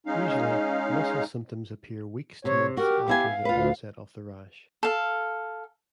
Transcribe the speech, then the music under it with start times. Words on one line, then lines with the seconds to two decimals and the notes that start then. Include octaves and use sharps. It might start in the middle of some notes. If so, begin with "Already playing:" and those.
Usually, muscle symptoms appear weeks to months after the onset of the rash.
0.06 G#3 C#4 D#4 F5
2.45 C3 C#5
2.77 F#4 G4 A#4
3.08 B3 E4 F5 G#5
3.45 D2 F4 B4
4.83 A4 F5